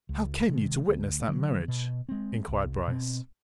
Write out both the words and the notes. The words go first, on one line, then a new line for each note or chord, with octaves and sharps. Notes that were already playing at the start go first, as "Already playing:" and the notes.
"How came you to witness that marriage?" inquired Bryce.
C#2
C3 D#3 G#3
D2
D3 F#3
B2
G#3 C4
C2
B2 G#3 C4